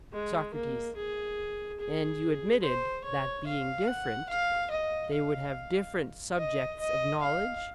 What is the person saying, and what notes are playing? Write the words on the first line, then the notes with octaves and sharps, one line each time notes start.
SOCRATES: And you admitted that being different they would have different subjects of knowledge?
G#3
A#3
G#4
G#4
C5
C#5
F5
F#5
F5
D#5
F5
D#5
D#5
F5